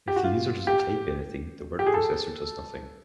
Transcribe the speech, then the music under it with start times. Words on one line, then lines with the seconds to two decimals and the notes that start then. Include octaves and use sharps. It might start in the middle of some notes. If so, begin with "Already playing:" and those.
If the user doesn't type anything, the word processor does nothing.
0.08 G4
0.16 F#4
0.24 F4
0.67 G4
1.79 G4
1.86 G#4
1.94 A4